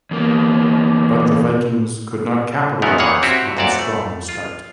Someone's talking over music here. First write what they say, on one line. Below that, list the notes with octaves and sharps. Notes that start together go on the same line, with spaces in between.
But the Vikings could not capitalize on the strong start.
E2 A#3
E2 G#2 D#3 A3 B3 A#4
A#2 D#3 E3 G#4 C#5 F#5
C4 E4 F#4 G4
D2 A#2 F#4 C#5 D5 A5
A3
F4